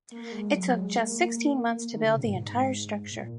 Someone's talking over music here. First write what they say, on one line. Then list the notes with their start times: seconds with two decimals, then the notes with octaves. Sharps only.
It took just sixteen months to build the entire structure.
0.12 A#3
0.32 G#3
0.54 F#3
0.76 G#3
0.97 A#3
1.93 D#3
2.04 C#3
2.15 B2
2.25 G#2
3.11 A#2